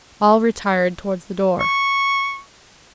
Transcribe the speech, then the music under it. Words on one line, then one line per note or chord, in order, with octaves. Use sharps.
All retired towards the door.
C#6